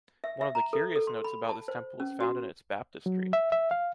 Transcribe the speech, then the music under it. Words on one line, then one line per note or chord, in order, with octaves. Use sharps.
One of the curious notes about this temple is found in its baptistery.
E5
E5
A#5
A4
A4
C6
B5
A5
C5
C#4
F#4
F#3
E5
E5
F5